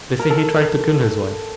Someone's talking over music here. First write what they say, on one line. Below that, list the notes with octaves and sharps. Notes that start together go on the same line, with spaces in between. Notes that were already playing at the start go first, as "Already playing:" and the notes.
"They say he tried to kill his wife."
A#4
A4